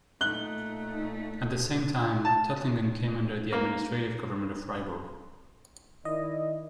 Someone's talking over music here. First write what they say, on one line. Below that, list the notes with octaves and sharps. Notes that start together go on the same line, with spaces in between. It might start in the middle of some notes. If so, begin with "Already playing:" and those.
At the same time, Tuttlingen came under the administrative government of Freiburg.
A#2 A3 D#4 F#6 G7
A5
A#3
D#3 E4 D5 D#5